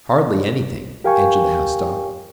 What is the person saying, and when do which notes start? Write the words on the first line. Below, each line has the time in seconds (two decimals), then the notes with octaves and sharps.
"Hardly anything," answered the House Dog.
1.04 G4 A#4 F5 G5 G#5 C#6